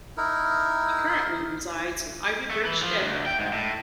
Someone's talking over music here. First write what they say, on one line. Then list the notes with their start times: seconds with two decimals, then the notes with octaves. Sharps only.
He currently resides in Ivybridge, Devon.
0.17 D#4 E4 A#4
2.51 A3
2.65 E3
2.83 F3
3.01 D2
3.26 G5
3.39 G#2
3.53 A2